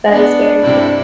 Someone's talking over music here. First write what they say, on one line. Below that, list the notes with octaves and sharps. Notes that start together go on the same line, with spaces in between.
That is very true.
B3 D4
G2 C3 E4